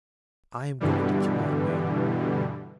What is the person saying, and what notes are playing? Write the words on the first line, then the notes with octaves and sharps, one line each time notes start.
I am going to kill that man.
G2 B2 D3 E3 G3